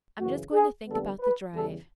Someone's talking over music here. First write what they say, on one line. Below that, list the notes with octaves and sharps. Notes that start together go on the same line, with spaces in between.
I'm just going to think about the drive.
F#2 C#3 E3 F#4
G#4
F2 D3 G3 B3 A4
B4
E2 C#3 E3 G3 A4